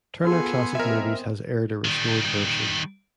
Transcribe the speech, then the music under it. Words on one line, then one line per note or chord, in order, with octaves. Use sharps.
Turner Classic Movies has aired a restored version.
B3 F4 G#4 A4 G#5 C6
F3 C4 A#4 C5 D#5 E5
D#3 G3